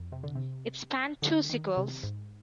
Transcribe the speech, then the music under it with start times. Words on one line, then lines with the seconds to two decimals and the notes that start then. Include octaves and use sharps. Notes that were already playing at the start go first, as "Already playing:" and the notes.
It spanned two sequels.
Already playing: F2
0.12 C3
0.23 D3
0.35 C3
1.22 D3
1.50 D#3
1.77 C3
2.03 G#2